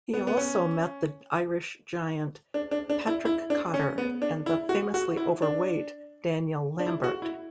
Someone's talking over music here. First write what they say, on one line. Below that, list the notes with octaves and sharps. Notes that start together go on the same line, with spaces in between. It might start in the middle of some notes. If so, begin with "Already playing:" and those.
He also met the Irish giant Patrick Cotter and the famously overweight Daniel Lambert.
B3
B3
C#4
D4
D4
D4
E4
E4
D4
C#4
B3
D4
E4
F#4
F#4
E4
D4
D4
E4
F#4
E4